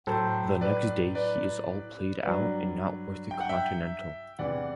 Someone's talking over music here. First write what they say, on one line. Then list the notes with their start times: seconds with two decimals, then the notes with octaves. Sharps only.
The next day he is all played out and not worth a continental.
0.07 A2 F#3 A4 C5
0.61 B4 D5
1.15 B4 D5
2.23 G2 F#3 B4 D5
3.31 G5
3.40 F#5
3.49 E5 G5
4.39 E2 C3 E3 D5 F#5